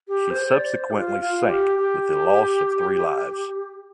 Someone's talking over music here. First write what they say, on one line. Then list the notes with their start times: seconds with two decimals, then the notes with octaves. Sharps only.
She subsequently sank with the loss of three lives.
0.08 G4
0.30 C5
0.53 D5
0.75 C5
0.90 G4
0.97 F4
1.20 F4
1.49 G4
1.79 G4